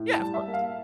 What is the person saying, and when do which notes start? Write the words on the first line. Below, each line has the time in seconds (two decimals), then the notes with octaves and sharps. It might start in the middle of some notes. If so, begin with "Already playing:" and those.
Yeah, of course.
Already playing: A2
0.13 A5
0.19 G3
0.34 E5
0.47 A#3
0.54 F5